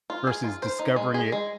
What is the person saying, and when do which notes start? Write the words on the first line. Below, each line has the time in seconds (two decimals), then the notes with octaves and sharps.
versus discovering it
0.10 F4
0.27 G#4
0.44 F4
0.62 C5
0.79 D#4
0.96 G#3
1.14 G#4
1.32 G#3